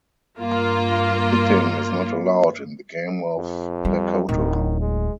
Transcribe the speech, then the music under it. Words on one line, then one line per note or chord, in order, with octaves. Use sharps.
Hitting is not allowed in the game of Plakoto.
G2 A#3 F4
F2
G3
D1 D#3
G#3